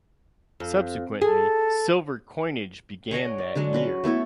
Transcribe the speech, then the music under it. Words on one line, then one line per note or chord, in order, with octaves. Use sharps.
Subsequently, silver coinage began that year.
F2
G#4 A4
G#4 C#5 D#5 F#5
D5
D3 F#3 G#3 D4
C#4 F#4 B4
A3 B3 E4 A4